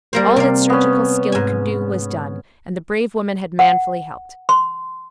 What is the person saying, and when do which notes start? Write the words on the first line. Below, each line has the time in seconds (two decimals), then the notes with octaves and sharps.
All that surgical skill could do was done and the brave woman had manfully helped.
0.13 G3 A#3 C5
0.36 C3 D5 F5
0.70 B3 C#4
1.32 G#2 G#5
3.59 F#5
4.49 C6